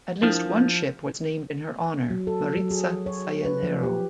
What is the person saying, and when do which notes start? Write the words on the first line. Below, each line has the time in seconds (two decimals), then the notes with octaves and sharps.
At least one ship was named in her honour, "Maritza Sayalero".
0.23 F3 D4 E4 A#4
2.10 F#3
2.27 A4
2.57 F#3
2.71 G#4
3.06 C#5
3.45 B4
3.63 F3
3.83 G4